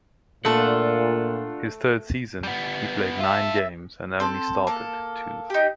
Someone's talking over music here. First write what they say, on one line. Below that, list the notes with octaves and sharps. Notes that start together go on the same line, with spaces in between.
His third season he played nine games and only started two.
A#2 A3 D4 F4 A4 F#5
G3 B3
F4 A4 E5
C4 A4
A#3 A4
D#4 G4